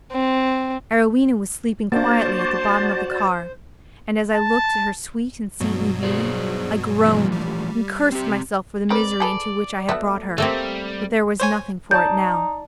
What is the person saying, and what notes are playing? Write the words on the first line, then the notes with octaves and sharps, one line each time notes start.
Arowhena was sleeping quietly at the bottom of the car, and as I looked at her sweet and saintly beauty, I groaned, and cursed myself for the misery into which I had brought her; but there was nothing for it now.
C4
A#3 D4 F#4 C5 D5 A5
A5
G2 B2 F#3
G#4 C5 D5
E3 F3 A3
G3
C4 G4
C4 A#4 B4 D5
G#4 A4 B4
A3 B3 F#4 E5
G3 A3 A#3 C4
C5 C#5 G#5
D#4 D5 A5 G6